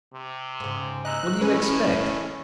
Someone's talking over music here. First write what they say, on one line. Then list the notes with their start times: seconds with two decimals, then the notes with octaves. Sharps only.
What do you expect?
0.14 C3
0.60 G#2 C#3
1.05 D#5 A#5 E6 F#6
1.41 A2 E3 C#4 G#4 B4